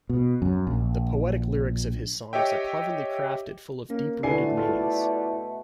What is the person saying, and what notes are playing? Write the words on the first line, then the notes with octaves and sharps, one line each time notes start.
The poetic lyrics of his songs are cleverly crafted full of deep-rooted meanings.
B2
F#2
A#1
G4 C#5 D#5 E5 G5
A#3 C#4
B2 D3 A3 E4 B4 D5 G#5 C7
F4 A4